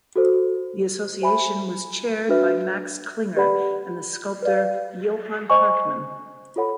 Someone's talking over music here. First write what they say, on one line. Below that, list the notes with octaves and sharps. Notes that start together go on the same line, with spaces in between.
The association was chaired by Max Klinger and the sculptor Johannes Hartmann.
F#4 A4 C5
C5 E5 G#5 B5
D4 F#4 B4 E5
G4 B4 D5 F#5 B5
B4 D5 F5
C5 D#5 G#5 C#6
F4 A4 C#5 F#5 B5